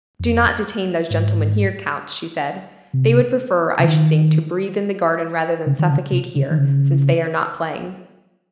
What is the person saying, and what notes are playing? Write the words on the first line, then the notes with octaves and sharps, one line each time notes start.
"Do not detain those gentlemen here, count," she said; "they would prefer, I should think, to breathe in the garden rather than suffocate here, since they are not playing."
F2
G#2
C3
C#3
D#3
C#3
D#3
C#3
C3
C#3
D#3
C#3